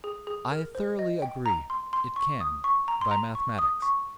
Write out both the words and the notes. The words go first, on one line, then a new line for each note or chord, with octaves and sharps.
I thoroughly agree, it can--by mathematics.
G#4
G#4
A#4
C5
D#5
G5
A#5
C6
C6
C#6
D#6
C#6
A#5
C6
A#5
C#6
D#6
C#6